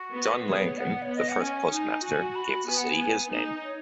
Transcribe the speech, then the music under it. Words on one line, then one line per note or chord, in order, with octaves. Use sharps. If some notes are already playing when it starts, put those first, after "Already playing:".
John Lankin, the first postmaster, gave the city his name.
Already playing: F#4
B3
B3 G#4
C#5
B3 F#5
C#5
B3
D#5
F#5
C#4 G#5
D#4 G#5
F#4 G#5
G#5
B5
B3 G#5
F#5
G#5
B3
D#4
C#5